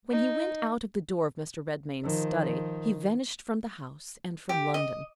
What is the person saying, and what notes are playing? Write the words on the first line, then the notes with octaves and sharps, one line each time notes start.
When he went out of the door of Mr. Redmain's study, he vanished from the house and from London.
D#4
D#3 F3
G4
D#5